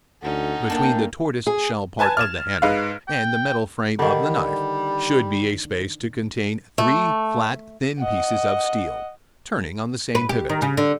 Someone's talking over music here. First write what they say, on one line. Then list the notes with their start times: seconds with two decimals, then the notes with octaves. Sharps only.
Between the tortoise-shell part of the handle and the metal frame of the knife, should be a space to contain three flat thin pieces of steel, turning on the same pivot.
0.23 D2 C#4 D#4 A4 F#5
0.70 A#3 D4 G5
1.47 G#4
1.99 B4 G#5 A5 G#6 A6
2.17 F6 E7
2.62 G#2 D#4 B4 F5
3.08 G5
3.99 D3 D#3 G3
6.78 A3
7.99 D#5 F#5
10.15 B4
10.29 G4
10.49 D#3
10.62 C#3
10.77 D3